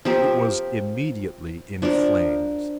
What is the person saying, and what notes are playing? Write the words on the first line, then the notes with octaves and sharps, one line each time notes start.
It was immediately in flames.
F3 C4 G4 A#4
F3 D4 A#4